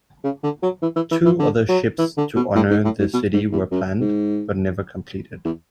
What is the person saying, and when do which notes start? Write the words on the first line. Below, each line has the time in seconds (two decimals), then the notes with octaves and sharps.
Two other ships to honor the city were planned, but never completed.
0.24 C#3
0.43 D3
0.62 F#3
0.82 E3
0.96 E3
1.11 E3
1.25 E3
1.39 D3
1.68 F#3
1.98 E3
2.17 D3
2.36 B2
2.55 A2
2.71 G#2
2.84 A2
2.99 G#2
3.13 B2
3.33 G#2
3.52 E2
3.71 F#2
4.00 G#2
5.45 E2